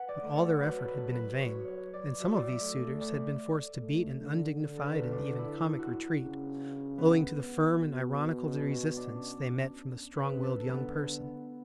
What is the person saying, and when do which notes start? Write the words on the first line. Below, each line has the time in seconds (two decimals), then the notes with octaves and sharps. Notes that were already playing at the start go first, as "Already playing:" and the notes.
But all their efforts had been in vain and some of these suitors had been forced to beat an undignified and even comic retreat, owing to the firm and ironical resistance they met from the strong-willed young person.
Already playing: B4 F#5
0.09 D5
0.22 A3
0.35 C#5
0.61 F#3 B4
0.79 A4
0.88 B4
1.14 B4
1.40 F#3 C#5
1.68 C#5
1.94 D5
2.20 F#3 E5
2.36 D5
2.47 E5
2.60 A3
3.01 D5
3.80 A3
4.20 D3
4.60 D3
4.77 A4
4.86 B4
5.12 D4
5.39 E4
5.79 F#4
6.19 C#3
6.98 B3
7.78 B2
8.57 C#4
8.97 D4
10.16 C#3 B4
10.43 A4
10.56 D3
10.70 B3